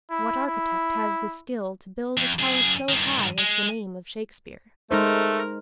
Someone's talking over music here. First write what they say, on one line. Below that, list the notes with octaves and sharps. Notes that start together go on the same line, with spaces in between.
What architect has the skill to build a tower so high as the name of Shakespeare?
E4
E4
F2
F#2 G#4
G2 D#3
G#3
G#3 A3 D#4 A#4 C5